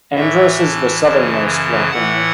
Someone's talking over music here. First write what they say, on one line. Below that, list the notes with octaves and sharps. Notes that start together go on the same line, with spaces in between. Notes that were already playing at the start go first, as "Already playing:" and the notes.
Andrus is the southernmost volcano.
A2 E3 E5
A5
F#2 C#3 E3
A5
A2 E3 F#5